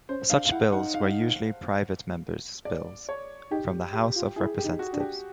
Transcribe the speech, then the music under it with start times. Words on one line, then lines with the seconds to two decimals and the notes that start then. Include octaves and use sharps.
Such bills were usually private member's bills from the House of Representatives.
0.09 C#4 C5
0.30 D4 F5
0.45 F5
0.51 E4 F#5
0.72 D#4 F#5
0.94 F5
2.65 D5
3.09 C#5
3.51 D#4 G4
3.93 G4
4.15 F4
4.36 E4 G#4
4.58 G4
4.64 D#4
4.79 F#4
4.93 D4
5.00 G4